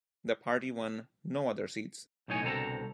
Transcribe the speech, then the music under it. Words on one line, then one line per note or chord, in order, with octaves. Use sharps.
The party won no other seats.
B1 A2 D#4 C#5 G#5
C2 B2 D3 C4 A4 A#5